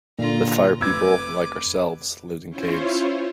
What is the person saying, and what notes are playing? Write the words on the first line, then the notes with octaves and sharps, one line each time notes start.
The Fire People, like ourselves, lived in caves.
A#2 D3 F4 A#5
F1 B4 D6 E6 G#6
C#4 E4 F4 C5 C#5